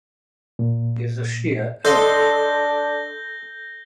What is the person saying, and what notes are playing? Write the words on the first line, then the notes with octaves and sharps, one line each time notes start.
He is a Shia Arab.
A#2
D4 A4 D#5 C6 G6 A#6 G7